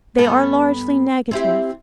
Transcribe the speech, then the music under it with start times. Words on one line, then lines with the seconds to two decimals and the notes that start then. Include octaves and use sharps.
They are largely negative.
0.18 G2 B3 A4
1.31 C4 E4 G4